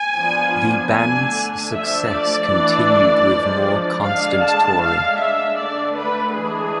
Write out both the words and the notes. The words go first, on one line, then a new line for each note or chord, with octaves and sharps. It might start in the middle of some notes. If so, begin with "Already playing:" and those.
The band's success continued with more constant touring.
Already playing: G#5
F3 B3 D4
D3 A3 D4 G#5
F3 A3 D4 E5
D5
E3 A3 D4
F3 G#3 D4
D3 G#3 D4 F5
A5
G#3 D4 F5
E5
D3 A3 D4 D5
B4
E3 G#3 D4 G#4